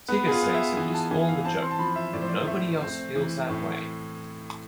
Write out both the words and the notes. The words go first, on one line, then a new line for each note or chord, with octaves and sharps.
Tigger says it was all a joke, but nobody else feels that way.
B3 B4
G#4
F4
B3
E5
E3 G#5
A5
E3 G#5
F5
C4 A5
C6
A5
F3 B5
E5
A2 D5
C5
D5
A3 E5
C4
E3
A2